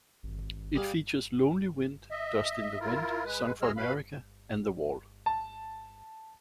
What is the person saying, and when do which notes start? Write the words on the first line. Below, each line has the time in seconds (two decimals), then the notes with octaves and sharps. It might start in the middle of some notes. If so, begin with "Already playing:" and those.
It features "Lonely Wind", "Dust in the Wind", "Song for America", and "The Wall".
0.23 G#1
0.76 G3 G#4 F5
2.11 D#5 E5
2.81 E4 F4 A#4
3.24 G#3 B4
3.62 D2 G#3 G#4 D#5 E6 F6
3.77 B2 B4 F5 B5
5.26 A5